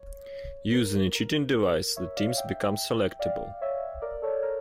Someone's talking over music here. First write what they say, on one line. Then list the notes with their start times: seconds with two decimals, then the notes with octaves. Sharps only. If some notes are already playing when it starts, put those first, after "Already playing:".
Using a cheating device the teams become selectable.
Already playing: C#5
0.73 A#4
1.15 A#4
1.55 A#4
1.96 C#5 E5
2.17 D5 F5
2.37 E5 G5
3.19 D5 F5
3.61 C#5 E5
4.02 A#4 D5
4.22 A4 C#5
4.43 A#4